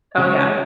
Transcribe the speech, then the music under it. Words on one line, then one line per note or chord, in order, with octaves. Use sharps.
Oh, yeah.
C#3 G#3 C#4 G4 C#5